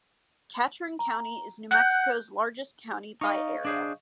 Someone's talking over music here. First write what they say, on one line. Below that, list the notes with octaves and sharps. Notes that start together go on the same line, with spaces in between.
Catron County is New Mexico's largest county by area.
A#5
F#5 F#6 G6
D#4 D#5 F5 C#6
D4 G#4 C5